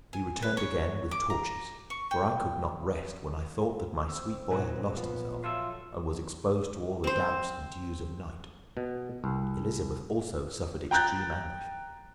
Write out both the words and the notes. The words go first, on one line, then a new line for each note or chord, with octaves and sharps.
We returned again, with torches; for I could not rest, when I thought that my sweet boy had lost himself, and was exposed to all the damps and dews of night; Elizabeth also suffered extreme anguish.
G#5
B4
C#5
D6
A#5
C#6
G5
C4 E6
A#2 F#3 A3 D#4 F#4
F3 B3
F#3 F4 A4 E5
C4 C5
B2
C2
G5 A#5 F#6 G6 A6